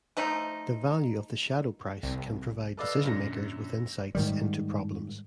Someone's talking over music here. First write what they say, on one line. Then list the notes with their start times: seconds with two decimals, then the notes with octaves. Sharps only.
The value of the shadow price can provide decision-makers with insights into problems.
0.17 F3 A3 D#4
2.03 C2
2.77 A4 B4 D5 D#5 F5 E6
3.04 F#2 A#2 D3 A#6
4.15 G#2 D#3 G3